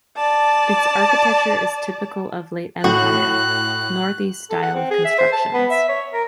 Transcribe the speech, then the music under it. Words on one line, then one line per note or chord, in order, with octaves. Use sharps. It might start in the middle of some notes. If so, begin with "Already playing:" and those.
Its architecture is typical of late Empire, Northeast style of constructions.
D5 A5
A2 F#4 F#6
A4
F#5
C4
G#4
E5
C5
A5
B3
E5
C#5
A#4